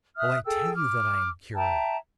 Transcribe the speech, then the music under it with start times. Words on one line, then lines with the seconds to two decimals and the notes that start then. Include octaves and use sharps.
Oh, I tell you that I am cured!
0.17 E5 D#6 F6 F#6
0.46 G#4 A4 G5 E6
0.75 D6 F6
1.55 E5 G5 A5 A#5